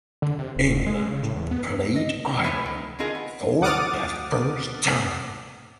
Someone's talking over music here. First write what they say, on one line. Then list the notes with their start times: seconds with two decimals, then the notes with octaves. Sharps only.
England played Ireland for the first time.
0.22 D3
0.39 C3
0.56 D1
0.72 D#1
0.86 G#3
1.07 C#3
1.23 A2
1.36 E2
1.51 B3
1.96 D#5
2.44 B3 E4 C#5 E5 G#5
2.66 D#3
2.99 D3 D4 D#4 F4 G#4 A#4
3.15 B3
3.61 D2 F#5 D6 D#6 F6 A6